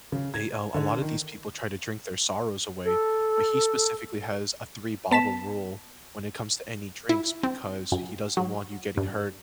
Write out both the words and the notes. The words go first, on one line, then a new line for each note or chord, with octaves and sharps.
they, uh A lot of these people try to drink their sorrows away. But he specifically has a three-bottle rule when it comes to any drinks, because he doesn't want you getting hurt,
C#3
G#6
D3
D#3
A4
B3 A5 B6 E7
E4
C4
F#2
F#3
G2